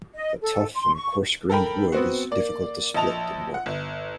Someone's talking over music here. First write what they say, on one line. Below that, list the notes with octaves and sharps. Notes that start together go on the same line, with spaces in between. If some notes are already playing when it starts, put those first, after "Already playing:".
The tough and coarse-grained wood is difficult to split and work.
D#5
A4
C6
C#6
A4 A#4 G5 B5
B3 C4 F#4
A#3 D5
A#1 D#5 A5 F7
F#5
G1